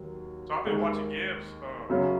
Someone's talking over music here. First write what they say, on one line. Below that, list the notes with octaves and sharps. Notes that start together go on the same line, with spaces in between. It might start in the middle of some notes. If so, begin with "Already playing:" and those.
So I've been watching Gibbs, um,
Already playing: D#2 D#3 F#3
D#2 D#3 G#3
F#2 C#3 F#3 C#4